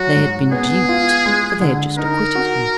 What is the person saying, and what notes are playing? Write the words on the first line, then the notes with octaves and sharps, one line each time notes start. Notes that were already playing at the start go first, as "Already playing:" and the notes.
They had been duped, for they had just acquitted him.
Already playing: F#3 F#4
G#2
B3 G#4
F4
G#3
D3
D#4 A#4
F#4